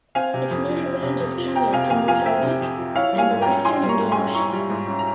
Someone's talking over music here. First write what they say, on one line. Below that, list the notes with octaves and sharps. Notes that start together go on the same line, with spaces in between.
Its native range is Kenya to Mozambique and the Western Indian Ocean.
C4 F5 G#5
C3
F2
F3
C4
C3
F2
F3
C4 G5 A#5
C3 F5 G#5
F2 F5 G#5
F3 F5 G#5
C4 E5 G5
C3
F2
F3
E4 C#5 F5
G3
F5 G#5
G#2
G5 A#5
C#4
E4 G#5 C6
G3
A#5 C#6
G#2
G#5 C6
C#4
E4 A#5 C#6
G3
G#2
C#4
A#5